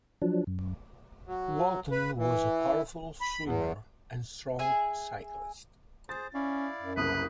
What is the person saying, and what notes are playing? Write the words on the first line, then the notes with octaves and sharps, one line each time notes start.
Walton was a powerful swimmer and strong cyclist.
F3 F#3 D4
F#2
F#3
B4
E3
B5
E2
G#4 E5 G#5
G#4 C5 A6
C#4 E4 D5 F5
F#2
F#1 C2 B4 D#6